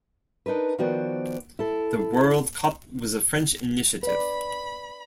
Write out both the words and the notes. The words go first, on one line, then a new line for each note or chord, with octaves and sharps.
The World Cup was a French initiative.
D4 D#4 A#4 B4
D#3 F3 B3 F#4 C5 D5
E4 A4
B4 D5 B5